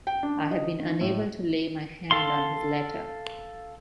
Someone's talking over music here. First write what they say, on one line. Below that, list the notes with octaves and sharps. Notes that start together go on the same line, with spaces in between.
I have been unable to lay my hand on his letter.
G5
D4
D#5
D#3
A2
A4 F5 C6